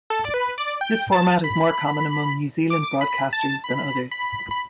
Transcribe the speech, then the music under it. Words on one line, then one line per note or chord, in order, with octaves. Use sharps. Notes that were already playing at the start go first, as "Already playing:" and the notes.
This format is more common among New Zealand broadcasters than others.
A4
D5
B4
D5
G5
A5
B5
D6
B5
A5
B5
B5
B5